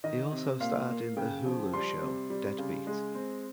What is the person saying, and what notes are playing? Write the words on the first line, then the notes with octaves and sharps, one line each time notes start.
He also starred in the Hulu show "Deadbeat".
D#3 D#5
C3
A#2 F5
A#3
C#3 G5
F3
G3 C6
C3
G3
C#3
G#3
C4